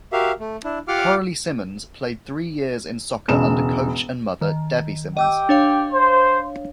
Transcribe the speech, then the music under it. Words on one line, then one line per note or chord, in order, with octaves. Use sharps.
Coralie Simmons played three years in soccer under coach and mother Debbie Simmons.
F#4 G4 A#4 E5 F5
A3
D4 E4
F4 G4 F5 F#5 D6 F6
E1 C#2 E7
D#3
G4 D#5 G5 D6 E6
D4 C#5 F5
C5